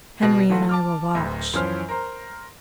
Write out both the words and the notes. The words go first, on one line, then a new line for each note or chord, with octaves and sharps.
Henri and I will watch.
B2
E3 A3 F4 F#4
A5 D6 F6
D1 D2
F#2 E3 F3 C#4 C5 F6
A#4 C5 A#5